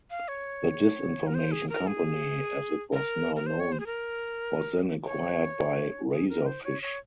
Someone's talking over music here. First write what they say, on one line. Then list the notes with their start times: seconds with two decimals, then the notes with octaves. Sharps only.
The Disinformation Company, as it was now known, was then acquired by Razorfish.
0.10 F5
0.28 C#5
1.27 A#4
1.34 C5
1.52 G#4
1.69 A#4
1.87 G#4
2.93 A#4
3.36 A#4
3.46 C5
3.60 C#5
3.72 C5
3.80 G#4
3.86 A#4
5.06 C#5
6.12 G#4
6.29 A#4
6.46 C5
6.64 C#5
6.82 C#5